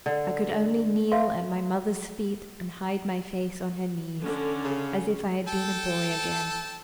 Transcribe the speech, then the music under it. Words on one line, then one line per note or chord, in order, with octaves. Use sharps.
I could only kneel at my mother's feet, and hide my face on her knees, as if I had been a boy again.
D3
B4 E5 F5 C6
D3 C#4
C#3
A4 G5 A5